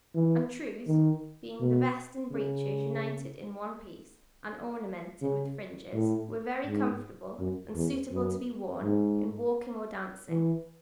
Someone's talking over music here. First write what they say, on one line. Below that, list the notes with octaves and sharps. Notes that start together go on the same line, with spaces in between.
And trews being the vest and breeches united in one piece, and ornamented with fringes, were very comfortable, and suitable to be worn in walking or dancing.
E3
D#3
B2
C#3
C#3
A2
G#2
F#2
E2
F#2
G#2
E3